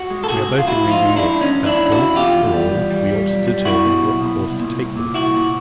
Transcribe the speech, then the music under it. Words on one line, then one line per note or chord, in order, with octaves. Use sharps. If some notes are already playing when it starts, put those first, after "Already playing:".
We are both agreed in this, that, once for all, we ought to determine what course to take with him.
Already playing: F#4
G#3
A4
C3 F#4 G#4
G#3
F4
G#3 E4 F#4
F3
D#4 F4
G#3 D#4
D4 E4
G#3
E2 C#4 D#4
E2
D4 E4
E2
E4 F#4
E2
B2 F4 G4
E2
G3
E2
G3
G3
B1
G3
B1 E4 F#4
B2
B1
B2
C2
A#2
C2
A#2
C2 E4 F#4
A#2